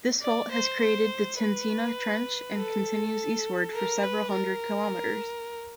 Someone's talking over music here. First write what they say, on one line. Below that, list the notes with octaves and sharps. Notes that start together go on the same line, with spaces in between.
This fault has created the Tintina Trench and continues eastward for several hundred kilometres.
D5
C5
C5
B4
A4
A#4
B4
A#4